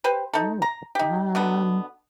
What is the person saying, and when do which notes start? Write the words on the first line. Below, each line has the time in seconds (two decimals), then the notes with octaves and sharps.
Oh, um
0.04 G4 B4 C5
0.33 D#4 A4
0.62 A#5
0.95 D#4 G4
1.35 B2 D3 B3